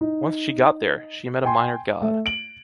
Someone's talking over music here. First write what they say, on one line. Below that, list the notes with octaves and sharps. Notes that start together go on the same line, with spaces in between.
Once she got there, she met a minor god.
D#4
G5 G#5 C6
A3
D7 F#7